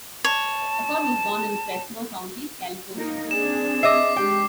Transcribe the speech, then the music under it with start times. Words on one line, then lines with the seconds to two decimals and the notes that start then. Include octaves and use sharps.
Acord was born in Fresno County, California.
0.24 C#5 A5
2.96 A#3 D#4 A#4
3.31 C4 D4 G#4 E7
3.83 D#5 E5 D6 C7
4.16 G#3 D4 G4 G5